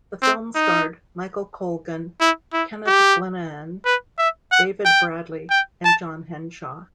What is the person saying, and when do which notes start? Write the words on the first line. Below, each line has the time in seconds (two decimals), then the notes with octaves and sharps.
The film starred Michael Colgan, Kenneth Glenaan, David Bradley and John Henshaw.
0.22 C4
0.55 D#4
2.20 E4
2.53 E4
2.86 G4
3.85 B4
4.18 E5
4.52 F#5
4.85 G5
5.50 G5
5.84 A5